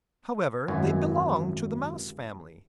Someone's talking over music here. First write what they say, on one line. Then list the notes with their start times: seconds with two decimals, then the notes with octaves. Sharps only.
However, they belong to the Mouse family.
0.68 G#1 F#2 E3 G#5